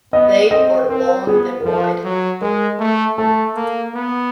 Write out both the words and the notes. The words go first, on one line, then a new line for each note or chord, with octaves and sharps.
They are long and wide.
B3 D#5
C4 D#5
C4 A#4
B3 G#4
A#4
F3 A4
F#3
G#3 A#4
A3
A3 A4
A#3
B3